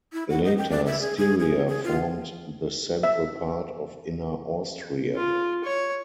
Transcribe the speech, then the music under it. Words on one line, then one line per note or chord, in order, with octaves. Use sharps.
Later Styria formed the central part of Inner Austria.
E4
F#5
D#5
G5
D5
E5
G#4
G#4
G#4
G#4
F4
E5
F4
C#5